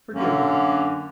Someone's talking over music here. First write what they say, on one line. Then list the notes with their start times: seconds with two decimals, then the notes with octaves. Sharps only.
Forgive me! ...
0.14 F#2 D3 A#3 C#4